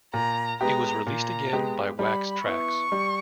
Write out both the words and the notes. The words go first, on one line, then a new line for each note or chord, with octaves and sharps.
It was released again by Wax Trax!
A#2 A#5
G#3 B3 G4 A#5
A#2 A#5
G#3 B3 G4
G3 B5
B3 E4 C#6
G3